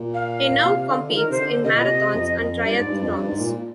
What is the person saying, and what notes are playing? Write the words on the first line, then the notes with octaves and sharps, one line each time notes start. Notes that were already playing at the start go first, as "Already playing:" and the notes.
He now competes in marathons and triathlons.
Already playing: A#2
F5
C3
D3
F3
D#3 A#4
C3 C5
D3
C3 D#5
A#2
C3
F2
F2
G2 D5
G#2
G2
F2
G2
G#2
A#2